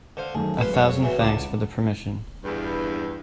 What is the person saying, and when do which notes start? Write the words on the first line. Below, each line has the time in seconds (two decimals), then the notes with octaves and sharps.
A thousand thanks for the permission.
0.17 D3 C5 F5
0.35 F#2 D#3 A3 G#4
0.58 F#3 G#3 B4 F5 C6
0.74 F2 C#5 F5
1.03 E3 F#3 G#4 C#5 E5
1.20 C#2 D3 A5 D6
2.44 E2 G2